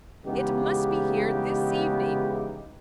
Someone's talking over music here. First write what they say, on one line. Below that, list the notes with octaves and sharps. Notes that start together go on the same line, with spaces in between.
It must be here this evening!
C#3 E3 G#3 B3 D#4 G4